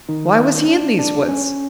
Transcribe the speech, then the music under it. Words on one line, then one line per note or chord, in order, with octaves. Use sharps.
Why was he in these woods?
D#3 D#4
D4
D4
C#4